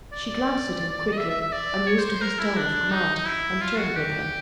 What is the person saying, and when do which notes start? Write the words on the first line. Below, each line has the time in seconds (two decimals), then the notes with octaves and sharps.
She glanced at him quickly, unused to his tone of command, and turned with him.
0.13 D5
1.12 D#5
1.18 E5
1.30 E5
1.41 E5
1.52 D5
1.87 C#5
1.99 C5
2.10 C5
2.21 A#4
2.39 E4
2.57 D4
2.92 D#4
3.16 D#4
3.26 E4
3.62 F4
3.78 F#4
3.96 G4